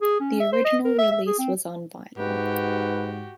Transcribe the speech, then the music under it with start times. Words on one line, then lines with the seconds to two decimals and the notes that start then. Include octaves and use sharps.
The original release was on vinyl.
0.02 G#4
0.20 C#4
0.40 E5
0.53 C5
0.65 D#5
0.85 A#4
0.99 E5
1.12 E5
1.27 G#4
1.39 C4
2.17 G#2 F#4 G4 B4